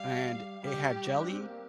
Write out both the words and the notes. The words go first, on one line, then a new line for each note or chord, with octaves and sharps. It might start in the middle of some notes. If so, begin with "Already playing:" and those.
and it had jelly
Already playing: G3 F5
G3 G4
D4
C4
A#3